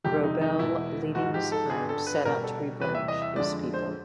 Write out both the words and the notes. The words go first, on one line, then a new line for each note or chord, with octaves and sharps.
Roble leading his clan set out to revenge his people.
F2 C3 D#3 G#3 G4
D#4
D#4
E2 B2 G#3 E4
G#2 F3 G#3 F#4
G4
A4
G2 D3 G3 G#4
A4
B4
B2 G3 A#4
A4
E2 C3 E3 G3 B4
E5
D#5
E5
F2 D3 F3 G#3 D5
C5